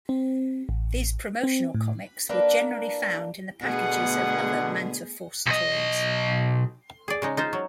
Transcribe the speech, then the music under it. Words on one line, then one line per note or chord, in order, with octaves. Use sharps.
These promotional comics were generally found in the packages of other Manta Force toys.
C4
A1
C4
A2
A#3 D4 B4
B2 D3 A3 B3 G#4 F#5
B1 D#5
G#4 D5
C#3 G#3 D#4
D#4 F4 C5
F#3